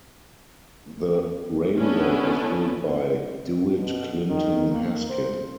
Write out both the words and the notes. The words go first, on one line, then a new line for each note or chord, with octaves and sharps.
The railroad was built by Dewitt Clinton Haskin.
B3 C#4 D4 E4
B2
D#3
A#3
C5